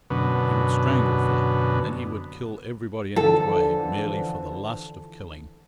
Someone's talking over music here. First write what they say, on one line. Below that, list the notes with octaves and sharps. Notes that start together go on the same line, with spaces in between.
He would strangle Philip, and then he would kill everybody in his way, merely for the lust of killing.
F#2 B2 D3 B3
D3 E3 F3 A4